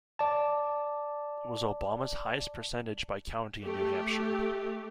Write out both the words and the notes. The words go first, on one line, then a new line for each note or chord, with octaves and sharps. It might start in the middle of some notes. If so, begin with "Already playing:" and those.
It was Obama's highest percentage by county in New Hampshire.
D5 A5
A3 G4